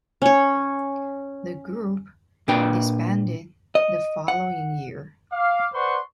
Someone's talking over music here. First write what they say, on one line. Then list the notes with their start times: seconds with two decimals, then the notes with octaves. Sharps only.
The group disbanded the following year.
0.22 C#4 C#5
2.48 A#2 A#3 D4 B4 G5 B5
3.75 D#5
4.28 F#5
5.32 F5 D6
5.73 B4 C5 D5 F#5 C6 C#6